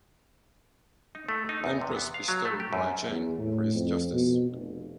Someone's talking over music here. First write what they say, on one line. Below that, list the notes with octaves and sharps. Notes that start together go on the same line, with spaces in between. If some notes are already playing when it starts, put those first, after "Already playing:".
Empress bestowed Wei Zheng for his justice.
D#4
A3
D#4
E2
C3
B3
F5
F#3
A3
G4
F#2
E2
A2
F2
B2
F1